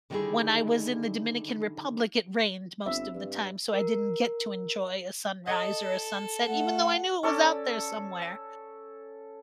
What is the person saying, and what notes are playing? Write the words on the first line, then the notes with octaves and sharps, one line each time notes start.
when I was in the Dominican Republic it rained most of the time so I didn't get to enjoy a sunrise, or a sunset- even though I knew it was out there somewhere.
D3 D#3 G3 D#4 E4 G#4
G1 C4 E5
G2
A#4
A4 D#5
A3 F#5
C#4 A4 D5